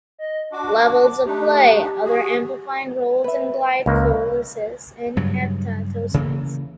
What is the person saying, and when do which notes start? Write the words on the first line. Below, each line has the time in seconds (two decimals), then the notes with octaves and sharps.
Levels of play other amplifying roles in glycolysis in hepatocytes.
0.19 D#5
0.52 D4 F#4 D6
1.26 A3 D4 D#4 G4
2.04 F#4 G#4
3.24 B4 E5
3.86 C#2 A#3
5.17 G2 C#3 F#3
6.14 C#3 E3 A#3